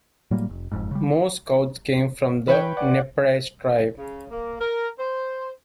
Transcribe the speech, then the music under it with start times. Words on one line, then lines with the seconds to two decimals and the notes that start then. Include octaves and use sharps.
Most scouts came from the Nez Perce tribe.
0.31 A2 F#3 G3 A#3
0.49 F1
0.72 F#1 F2 G#2
0.91 C#3 G3
2.48 E3 B4 C#5 G5
2.77 D5 F#5
3.97 C#3
4.31 A#3
4.60 A#4
4.99 C5